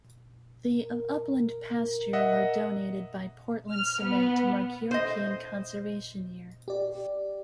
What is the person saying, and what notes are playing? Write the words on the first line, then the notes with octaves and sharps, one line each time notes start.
The of upland pasture were donated by Portland Cement to mark European Conservation Year.
A#4
D#5 E5 F#5
F6
B3
C5 D#5
G4 D5